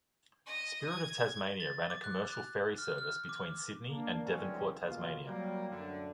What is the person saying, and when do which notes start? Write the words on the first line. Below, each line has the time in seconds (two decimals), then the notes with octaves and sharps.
Spirit of Tasmania ran a commercial ferry service between Sydney and Devonport, Tasmania.
0.46 D#5
0.90 G#6
1.60 A6
1.90 D6
2.04 F#6
2.32 F#6
2.78 F6
2.98 F6
3.29 D6
3.89 A#3 D4
4.25 D2 E3 F#3 G3 C4 C#4
4.84 C#2 B2 A#3 F4
5.26 F#3 G3 A#3
5.70 F#2 A2 D3